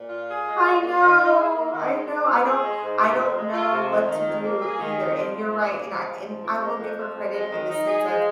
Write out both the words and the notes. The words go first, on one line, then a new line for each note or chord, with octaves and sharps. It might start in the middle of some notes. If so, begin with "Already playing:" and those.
I know, I know. I don't I don't know what to do either, and you're right, and I and I will give her credit in the sense of
Already playing: A#2
F4
G#4
G#3
A#2
A#3
D#3
D#4
G#4
A#3
D#3
G#3
G#2
F4
G#4
G#3
G#2
C3
F2
G#3
F4
C3
F2
D#3
F2
A#3
G#4
D#3
F2
F3
G#2
A#3
G#4
F3
G#2
F3
F2
G#3
F2
F3
F2
G#3
D#3
D#4
G#4
G#3